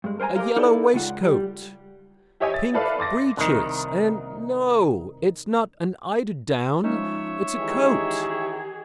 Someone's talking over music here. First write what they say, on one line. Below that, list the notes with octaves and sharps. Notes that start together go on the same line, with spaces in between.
A yellow waistcoat, pink breeches, and--no, it's not an eider-down, it's a coat.
G2 G#3
A#4 C5 D5 G#5 A#5
G4 A#4 D#5 F5
D#4 E4 A4 D5
C#2 F4 F#5
G3
E4 G4 C#5 D#5 E5 G#5
A6
E4 A4 B4 D5 F5
C6 D6 A6 A#6
C2 D#3 A#5 D#6 F#6
F3 G#3 C#4 D#4 C#5 E5
D#3 E3 G4 G#4